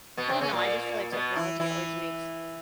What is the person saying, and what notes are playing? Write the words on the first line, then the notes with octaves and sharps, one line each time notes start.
I don't know, I just feel like technology always makes
B2 B3
C3 C4
C#3 C#4
A#2 A#3
B2 B3
E3 E4
E3 E4